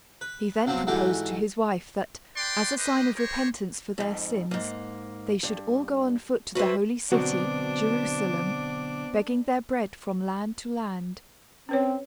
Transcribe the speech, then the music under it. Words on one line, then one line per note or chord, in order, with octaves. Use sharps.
He then proposed to his wife that, as a sign of repentance for their sins, they should all go on foot to the holy city, Jerusalem, begging their bread from land to land.
B4
C3 F3 F#3 B3 C4
G#2 E3 A3 F#4 G4
B4 D5 G5 C6
G4 B4 C5 D#5
G4 A#4 C5 C#5
F2 G#2
G#2 A#3
G2
F#4 B4 C5 E5
B2 D3 F#3 B3 C4 D4 F#4 D6
C4 C#4 B4 C#5